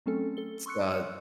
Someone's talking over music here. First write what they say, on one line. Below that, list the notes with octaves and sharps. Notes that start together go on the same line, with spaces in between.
It's, uh,
F#3 A3 C4 C#4 A4
A4 G7
C6 C#6 E6 F#6 C#7